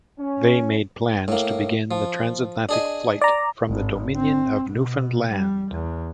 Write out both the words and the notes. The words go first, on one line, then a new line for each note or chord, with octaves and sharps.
They made plans to begin the transatlantic flight from the Dominion of Newfoundland.
C#4
A2 A#3
F3
D4 G#4 D#5
D5 A#5
G#1
C4
B2
G3
E2